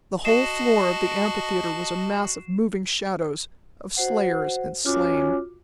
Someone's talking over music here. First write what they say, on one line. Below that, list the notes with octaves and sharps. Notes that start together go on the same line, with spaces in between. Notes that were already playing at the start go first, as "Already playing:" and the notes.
The whole floor of the amphitheatre was a mass of moving shadows, of slayers and slain.
F#4 D#5 A5 C7 E7
F#4 C5 F#5
C#4 F4 F#4 D6